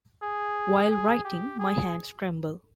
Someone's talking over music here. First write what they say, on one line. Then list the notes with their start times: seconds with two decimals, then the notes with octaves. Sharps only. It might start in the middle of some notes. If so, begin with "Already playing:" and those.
While writing, my hands tremble.
0.22 G#4
0.91 G#4
1.25 G4
1.59 G#4